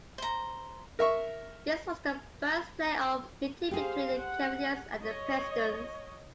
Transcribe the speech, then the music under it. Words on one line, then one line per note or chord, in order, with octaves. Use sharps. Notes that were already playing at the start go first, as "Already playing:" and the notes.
This was the first playoff meeting between the Cavaliers and the Pistons.
C5 A#5
A#4 E5 C#6
G4 G#4 C5 F5
F#5
C#5 D#5